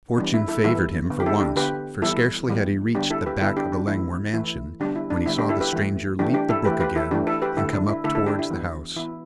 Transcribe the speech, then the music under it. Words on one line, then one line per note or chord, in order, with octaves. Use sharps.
Fortune favored him for once, for scarcely had he reached the back of the Langmore mansion when he saw the stranger leap the brook again and come up towards the house.
E3 G3 B3 D4
E4
E4 A4
E3 G3 B3 E4 A4
D3 B3
G4
E4 A4
D4 G4
D3 B3 G4 B4
E3 G3 B3 E4 A4
E3 G3 B3
D3 G3 B3 D4 G4
E4 A4
G4 B4
D3 G3 B3 E4 A4
D4 G4
D4
E3 A3 E4
E3 A3 E4
D3 G3 B3 D4 G4
E4
D4
D3 G3 B3 E4
D4 G4
E4 A4
G4 B4
E3 A3
E3 A3 D4 G4
D4 G4
E4 A4
E3 A3 G4 B4
G4 B4
E4 A4
E3 A3 D4 G4
E4 A4
G4 B4
D3 A3 E4 A4
D4
E4
D3 A3 E4 A4
E4 A4
D4 G4
E4
E3 B3
E3 B3 E4